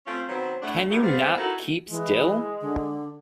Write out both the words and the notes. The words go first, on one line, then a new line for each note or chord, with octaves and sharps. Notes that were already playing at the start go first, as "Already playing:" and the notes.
Can you not keep still?
A3 C4 C#4 F4
D#3 F#3 B3 C4
A2 A3 D4 E4 A4 F#5
A2 D#3 F#3 G3 A3 A#3
G3 B3 C4 G#4 C5 F5
C#4 D#4 E4 F#4 A4 A#4
E3 G#3
D3